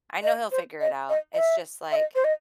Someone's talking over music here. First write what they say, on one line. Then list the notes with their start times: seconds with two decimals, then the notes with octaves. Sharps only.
I know he'll figure it out. It's just, like
0.23 D#5
0.52 C5
0.81 D#5
1.09 D#5
1.34 D#5
1.38 E5
1.92 E5
1.96 D#5
2.15 C5
2.24 D#5